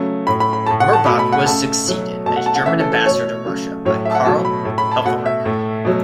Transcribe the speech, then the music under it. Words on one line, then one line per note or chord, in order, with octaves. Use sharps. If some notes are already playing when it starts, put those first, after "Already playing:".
Mirbach was succeeded as German ambassador to Russia by Karl Helfferich.
Already playing: C#3 F#3 A3
A2 A3 B5
B5
B5
A2 A3 A5
F#5
A5
B2 A3 B5
B5
F#5
C#3 A3 A5
B2 F#3 A3
B2 A3 A5
F#5
A5
F#5
C#3 E3 A3 E5
A4
A4
B2 A3 C#5
C#3 F#3 A3
A2 F#3 A3 C#5
E5
A5
F#5
B2 F#3 A3 A5
B5
A2 A3
B5
A5
B2 A3 F#5
E5
A2 A3
B2 F#3 A3